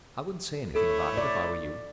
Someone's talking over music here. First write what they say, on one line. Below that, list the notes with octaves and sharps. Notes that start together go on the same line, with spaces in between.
I wouldn't say anything about it if I were you.
A3 E4 A4 C#5
D5